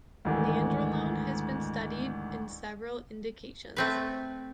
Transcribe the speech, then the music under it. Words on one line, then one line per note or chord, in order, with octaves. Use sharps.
Nandrolone has been studied in several indications.
D2 G#2 D#3 E3
A3 C4 B4